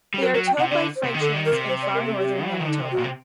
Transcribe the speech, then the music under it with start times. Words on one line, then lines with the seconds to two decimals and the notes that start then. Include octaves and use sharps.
They are towed by freight trains in far northern Manitoba.
0.14 G3
0.22 F#3 A#4
0.34 F#3 A#4
0.47 G5
0.58 C3 F#5
0.71 D3 D5
0.96 C5
1.04 C3
1.14 D#3
1.20 D3 A4
1.36 D#3
1.45 A#4
1.53 C3
1.69 C5
1.82 D5
1.94 A#4
2.06 A4
2.19 G4
2.45 G3
2.53 F#3
2.60 D#3
2.67 D3 D#4
2.80 C3
2.92 F#4
2.98 A#2
3.04 C3